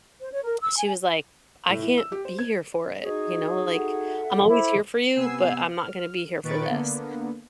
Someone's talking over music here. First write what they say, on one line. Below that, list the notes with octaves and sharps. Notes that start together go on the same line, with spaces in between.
she was like, "I can't be here for it." You know, like, "I'm always here for you, but I'm not gonna be here for this."
C5
C#5
A#4
E6
G#5
A2
E3
E6
G4
C5
G#6
D#4 F#4 G#4 D#5
A4 E5 F#5
E4 A4 C5 D6
C3 B3 G#5 E6 C7
F6
A#2 D#3 B4 C#6 A6 D7
D3 A#3 B3